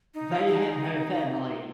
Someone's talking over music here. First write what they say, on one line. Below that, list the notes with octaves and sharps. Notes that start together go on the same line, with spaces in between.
They had no family.
D#4
E4
D#4